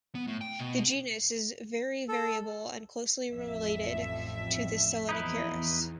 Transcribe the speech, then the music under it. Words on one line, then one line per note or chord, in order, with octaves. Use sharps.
The genus is very variable and closely related to Selenicereus.
B3
A2
G5
B2
A4
A1 F2 E5
E2 D#4 E4 B4